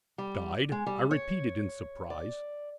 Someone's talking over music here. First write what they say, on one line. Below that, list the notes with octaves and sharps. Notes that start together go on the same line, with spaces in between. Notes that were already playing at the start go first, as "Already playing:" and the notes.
"Died?" I repeated, in surprise.
G3
G#3
G3
C#5
D5